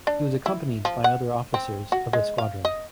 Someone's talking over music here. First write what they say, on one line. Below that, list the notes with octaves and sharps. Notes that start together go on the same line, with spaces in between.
He was accompanied by other officers of the squadron.
D4
E4
F3
F#5
C4
F#4
G#3
F5
D#5